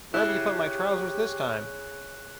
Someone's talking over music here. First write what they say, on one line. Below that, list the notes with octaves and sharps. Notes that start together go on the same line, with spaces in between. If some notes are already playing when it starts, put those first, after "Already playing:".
Where've you put my trousers this time?
C#3 E4 G4 F#6